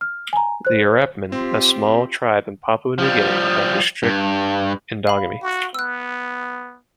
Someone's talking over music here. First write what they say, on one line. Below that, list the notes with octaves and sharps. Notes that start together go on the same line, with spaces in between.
The Urapmin-a small tribe in Papua New Guinea-practice strict endogamy.
F6
G#5 A#5
C5 F#6
C4 F4 G4
F3 G3
G2
F5 B5
F#4
B3 E6 F#6